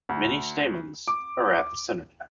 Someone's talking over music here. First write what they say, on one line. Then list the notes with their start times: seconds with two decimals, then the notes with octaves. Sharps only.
Many stamens are at the center.
0.09 D2
1.08 D6